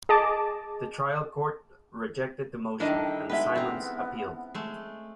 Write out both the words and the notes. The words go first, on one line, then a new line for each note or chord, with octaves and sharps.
The trial court rejected the motion, and Simmons appealed.
G#4 D#5 A5 D6
D#3 G3 D4 E4 A4 A#4 D#5
G5
G#3 B3 D#4 G4 B4 E5
C4 C#4 A#5
G#3 A3